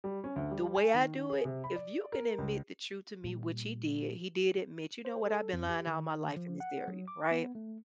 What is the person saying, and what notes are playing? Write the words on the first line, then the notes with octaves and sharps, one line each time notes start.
the way I do it, if you can admit the truth to me, which he did, he did admit, "You know what, I've been lying all my life in this area," right?
G3
C#4
D2
G3
G#5
D#3
G#4
C3
B5
D5
A#4
C#2
A#2 G3
C5
A4
F2
G4
D#3
F3
F#5
F#3
D6
B3
A3